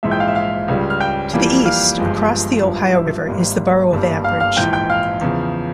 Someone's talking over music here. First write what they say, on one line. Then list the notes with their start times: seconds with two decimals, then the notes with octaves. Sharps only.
To the east, across the Ohio River, is the borough of Ambridge.
0.03 A#1 G#2 E3 G#3 E5 E6
0.11 G5 G6
0.20 F5 F6
0.28 E5 E6
0.35 F5 F6
0.68 C#2 C#3 G3
0.90 F6
1.00 G5 G6
1.33 F2 E3 G3 A#3
1.66 F5 F6
1.98 G1 G2 F3 G#3
2.63 G#1 G2 F3
2.94 E5 E6
3.27 G#1 G#2 G3 A#3
3.92 G1 G2 G3 A#3
4.24 F5 F6
4.40 F5 F6
4.56 A#1 G#2 E3 G5 G6
4.73 G5 G6
4.90 F5 F6
5.21 E2 C#3 F3